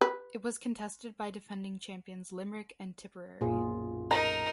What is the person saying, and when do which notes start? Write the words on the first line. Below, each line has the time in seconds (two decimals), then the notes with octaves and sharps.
It was contested by defending champions Limerick and Tipperary.
0.01 B4
3.41 B1 F#2 A#2 F4 G#4
4.11 D#4 A#4 A#5